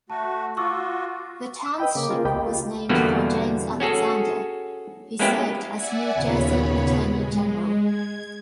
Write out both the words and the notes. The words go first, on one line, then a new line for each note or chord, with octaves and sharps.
The township was named for James Alexander, who served as New Jersey Attorney General.
A3 F#4 A5
F4 F#4 C#6 D6 E6
E6
B4 D#5 G5 B5
C#3 A#3 D6
F4 G#4 A#4
C#2 A#3 G4 D#5 G5 B5
F4
E2 B2 D3 G3 A#3 B3
C#4 F#4 G#4 A4
G#3 A#3 B3 C#4 E4 G4
D5 E5 F#5 G#5
D#2 A#2 C#3 B3 C#5 B5
G#3
G#6